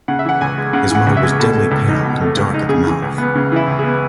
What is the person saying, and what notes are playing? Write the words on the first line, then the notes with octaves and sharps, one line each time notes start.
His mother was deadly pale and dark at the mouth.
C#3 F#5
E5
E3 F#5
C#2 G#5
G#3
C#3 F#5
E3 F#5
C#2
E5
G#3
B2 A4
A3
C#2
D#4
B2
A3
C#2
D#4
C#3 G#4
E3
C#2
B3
C#3
E3 E4
C#2
B3 G#4